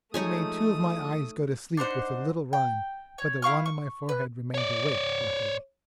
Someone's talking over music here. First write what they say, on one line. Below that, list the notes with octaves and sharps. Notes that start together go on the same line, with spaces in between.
She made two of my eyes go to sleep with a little rhyme, but the one in my forehead remained awake, luckily!'
F3 G#3 A3 D#4 C#5 G#5 D#6
D4 D#4 C5 F#5
G5
C#5
E4 F5 C#6 F6
C#6
B4
C#5 D5